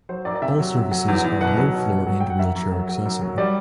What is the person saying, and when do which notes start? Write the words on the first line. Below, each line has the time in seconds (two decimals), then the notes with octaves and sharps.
All services are low floor and wheelchair accessible.
0.09 F#3 C5
0.25 F#2 D5
0.35 D5
0.42 C3 E5
0.59 F#3
0.75 C3
0.91 F#3
1.08 E2
1.24 E2
1.41 B2 F#5
1.57 F#3
1.74 B2
1.90 F#3
2.06 F#3
2.20 F#3 G5
2.30 F#5
2.39 F#2 E5
2.56 F#2
2.72 F#3
2.89 F#3
3.05 F#2
3.21 F#3
3.38 G3 D5